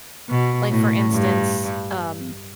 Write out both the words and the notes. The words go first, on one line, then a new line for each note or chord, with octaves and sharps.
like, for instance, um
B2
A2
G2